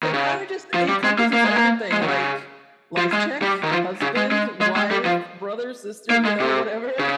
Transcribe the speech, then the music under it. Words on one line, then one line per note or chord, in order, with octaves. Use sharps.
It kinda just encompasses everything, like, life check, husband, wife, brother, sister, you know, whatever.
D#3
C#3
F3
G3
G#3
A#3
A#3
G#3
A#3
G#3
D#3
C#3
F3
G#3
G3
D#3
F3
C#3
G#3
G#3
G#3
G#3
G3
F3
A#3
G#3
C3
C#3